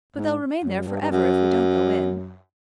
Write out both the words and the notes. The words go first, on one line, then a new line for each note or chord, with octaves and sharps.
But they'll remain there for ever if we don't go in.
G#2
F#2
G2
G2
F#2